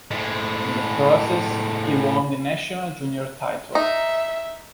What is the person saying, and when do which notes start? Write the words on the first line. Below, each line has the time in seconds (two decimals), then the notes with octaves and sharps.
In the process he won the national junior title.
0.11 A2 G#3
3.75 D#4 E5